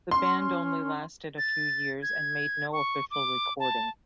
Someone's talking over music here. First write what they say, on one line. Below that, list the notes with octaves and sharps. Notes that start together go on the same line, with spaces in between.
The band only lasted a few years and made no official recording.
C#4 C6
A6
G#6
C#6
D6
A5